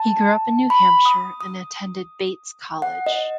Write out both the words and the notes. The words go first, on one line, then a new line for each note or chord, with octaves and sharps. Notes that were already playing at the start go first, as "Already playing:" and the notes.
He grew up in New Hampshire and attended Bates College.
Already playing: A5
B5
D#6
D#6
F#5
D#5